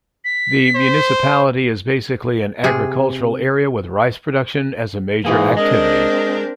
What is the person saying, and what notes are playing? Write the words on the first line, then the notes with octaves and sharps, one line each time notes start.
The municipality is basically an agricultural area with rice production as a major activity.
B6
C5
C3 G#4
G#2 E3 A#3 G#4
G#3 C4 D4 A#4 D#5